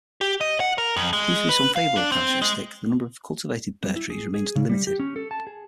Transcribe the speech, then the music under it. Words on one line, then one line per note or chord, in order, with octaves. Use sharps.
Due to this unfavourable characteristic the number of cultivated Bur trees remains limited.
G4
D#5
F#5
A#4
F2
G#3
B4
F5
D4
C4
G#3
G3
E4
G#4
G#4
C#3
G3
G4
C#4
A4
A5
G#4